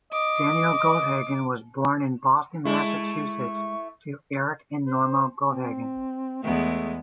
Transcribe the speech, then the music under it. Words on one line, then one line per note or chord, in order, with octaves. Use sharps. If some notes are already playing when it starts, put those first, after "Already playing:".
Daniel Goldhagen was born in Boston, Massachusetts to Erich and Norma Goldhagen.
D#5 D6
G#3 A3 E4 C#6
C5
C4
E2 G#3 A3 B3